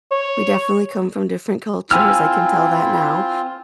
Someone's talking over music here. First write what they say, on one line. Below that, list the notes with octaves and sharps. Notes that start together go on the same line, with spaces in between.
we definitely come from different cultures, I can tell that now,
C#5
C4 E4 F4 G#5 E6 F6